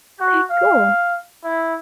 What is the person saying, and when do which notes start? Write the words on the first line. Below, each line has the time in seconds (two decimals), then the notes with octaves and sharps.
Okay, cool.
0.21 F#4
0.50 F5
1.44 E4